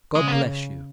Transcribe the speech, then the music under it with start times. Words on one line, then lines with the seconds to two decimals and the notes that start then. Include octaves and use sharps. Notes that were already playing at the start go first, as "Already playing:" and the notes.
God bless you!
0.15 C#3 G#3
0.28 B3
0.32 A#3